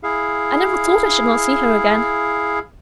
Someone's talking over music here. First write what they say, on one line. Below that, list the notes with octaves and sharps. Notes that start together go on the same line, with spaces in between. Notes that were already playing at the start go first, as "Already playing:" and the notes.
I never thought I should not see her again.'
E4 G#4 F5